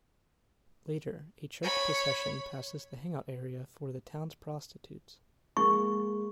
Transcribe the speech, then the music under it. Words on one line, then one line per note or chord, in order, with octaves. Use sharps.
Later, a church procession passes the hangout area for the town prostitutes.
C#5 B5
G#3 A#3 C#6